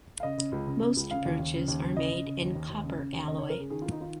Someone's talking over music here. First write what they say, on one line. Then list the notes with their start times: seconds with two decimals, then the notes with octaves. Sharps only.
Most brooches are made in copper alloy.
0.20 F5
0.23 C#3 D#5
0.38 C#3
0.52 C#2
0.66 C#3
0.81 C#3
0.96 C#2
1.10 C#3 F5
1.25 D#2
1.39 D#2
1.54 C#3
1.68 D#2
1.83 C#3
1.97 C#3 D#5
2.12 C#3
2.26 C#3
2.41 D#2
2.55 D#2
2.70 D#2
2.84 C#3
2.98 C#3
3.13 D#2
3.28 C#3 D#5
3.38 C#5
3.42 C#3
3.50 A#4
3.56 C#3 G#4
3.70 D#3 G#4
3.82 D#3 F4
3.91 D#4
4.00 D#3 F4